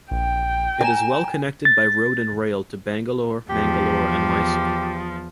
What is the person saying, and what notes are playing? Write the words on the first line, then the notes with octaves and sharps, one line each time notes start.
It is well connected by road and rail to Bangalore, Mangalore and Mysore.
A#1 G5
G#5 A#5 E7
A6
E2 F3 G4